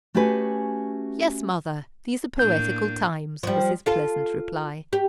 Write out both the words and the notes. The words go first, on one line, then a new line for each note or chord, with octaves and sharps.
"Yes, mother, these are poetical times," was his pleasant reply.
A3 C#4 F#4 G4 B4 G#5
A2 A#3 D4 G6
F3 G3
F4 A4 F5
G4